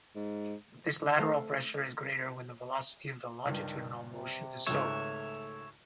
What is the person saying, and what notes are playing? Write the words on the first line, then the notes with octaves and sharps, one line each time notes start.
This lateral pressure is greater when the velocity of the longitudinal motion is so.
G#2
A3 A4 C5 F5
C#2 G2 D#3
C3
G#1 C#2 G#2 A3 C#5 E5